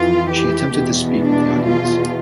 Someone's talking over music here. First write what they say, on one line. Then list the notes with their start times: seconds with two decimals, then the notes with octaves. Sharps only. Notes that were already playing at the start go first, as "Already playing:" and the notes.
She attempted to speak with the audience.
Already playing: F2 E3 F4
0.29 G4
0.74 E2 B2
1.20 D4
1.66 F4